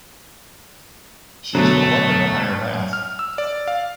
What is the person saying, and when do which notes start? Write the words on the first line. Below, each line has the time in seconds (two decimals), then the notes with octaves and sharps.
She's well up in the higher math.
1.55 B2 D3 F#3 A3
2.93 F6
3.19 E6
3.38 D5
3.68 F5